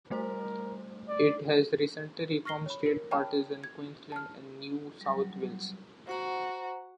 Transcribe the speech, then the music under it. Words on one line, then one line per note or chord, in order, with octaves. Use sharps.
It has recently reformed state parties in Queensland and New South Wales.
G3 A3 A#4 C5
D5
C#6 F6 A#6 C7 G7
C#5 B5
A#4
C#5 G5 A5 B5 F6
G#6
A5 F6
F#3 G3
F#4 C5 F#5 A#5